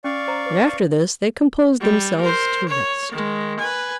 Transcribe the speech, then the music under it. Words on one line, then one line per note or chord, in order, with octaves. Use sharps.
And after this they composed themselves to rest.
C#4 D5 F5 C#6
C5 A#5
B4 D6
G3
A#4 C5
C#5
D#3 G#3
B4 G#5